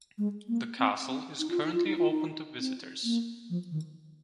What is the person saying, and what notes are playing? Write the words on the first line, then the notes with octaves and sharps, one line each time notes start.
The castle is currently open to visitors.
G#3
A#3
C4
C4
D#4
F4
D#4
F4
D#4
F4
D#4
C4
A#3
F3
D#3